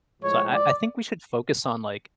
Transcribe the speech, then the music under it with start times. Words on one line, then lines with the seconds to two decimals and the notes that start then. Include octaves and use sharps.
So I I think we should focus on, like
0.21 A2 F3 G#3 C#5
0.51 D5